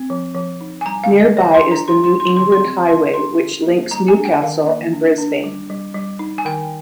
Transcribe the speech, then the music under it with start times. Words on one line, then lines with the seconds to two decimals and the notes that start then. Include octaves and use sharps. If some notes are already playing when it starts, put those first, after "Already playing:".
Nearby is the New England Highway which links Newcastle and Brisbane.
Already playing: C4
0.10 F3
0.35 F3
0.61 D#4
0.81 G#5
0.86 G3 A#5
1.04 F5
1.11 D3
1.20 D#5
1.37 D3 D5
1.54 C6
1.62 D4
1.71 A#5
1.88 G3 C6
2.04 C6
2.13 D#4
2.20 C6
2.36 D3 C6
2.52 C6
2.64 C4
2.89 G3 C6
3.14 D4 C6
3.40 D3
3.66 A#3
3.91 G3 A#5
4.08 G#5
4.16 D4
4.25 G5
4.42 D#3 F5
4.67 A#3
4.93 D4
5.18 D4
5.44 G3
5.70 G3
5.94 G3
6.19 D#4
6.38 G#5
6.45 D#3 G5